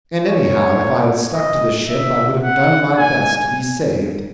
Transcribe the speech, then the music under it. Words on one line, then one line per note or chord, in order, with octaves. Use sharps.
And, anyhow, if I had stuck to the ship I would have done my best to be saved.
C#5
D#5
E5
F#5
G#5